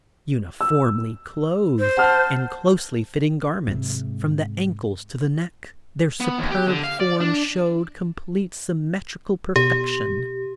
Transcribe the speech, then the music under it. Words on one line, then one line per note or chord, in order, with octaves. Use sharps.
Uniformly clothed in closely fitting garments from the ankles to the neck, their superb forms showed complete symmetrical perfection.
E6
C5
F#5 A5 F6
G#2 C3
B3
D#2
G4
D3
F5
D5
D4
B2 G4